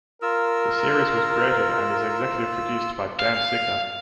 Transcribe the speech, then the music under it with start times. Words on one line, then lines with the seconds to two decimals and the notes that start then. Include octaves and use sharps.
The series was created and is executive produced by Dan Signer.
0.22 F4 A#4 E6
3.19 F5